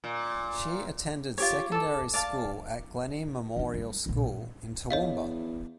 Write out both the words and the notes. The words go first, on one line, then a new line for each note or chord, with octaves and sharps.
She attended secondary school at Glennie Memorial School in Toowoomba.
A#2
F4 G4 C#5
A4 D5
D5 F5 A5
E3 D#4
G3 E4
B1 A#2
E2 C#5 D#5 F5